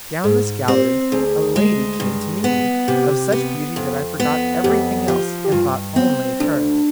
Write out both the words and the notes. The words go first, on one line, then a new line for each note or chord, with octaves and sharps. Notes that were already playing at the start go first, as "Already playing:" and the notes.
Down this gallery a lady came to meet me, of such beauty that I forgot everything else, and thought only of her.
G#2 G#4
C4 G4
D2 G#4
G#3
G2
B3
C3 G4
B3
F2
B3
F2 G4
F3 G4
G4
G2 F4
B3 C4
D2 D4